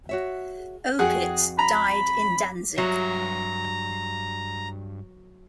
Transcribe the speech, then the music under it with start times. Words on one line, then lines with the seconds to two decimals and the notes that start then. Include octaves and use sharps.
Opitz died in Danzig.
0.09 F#4 C#5 E5
0.99 F2 F#4 G#4 F#5 G5
1.59 A#5 B5
2.78 G2 F#3 E5 A#5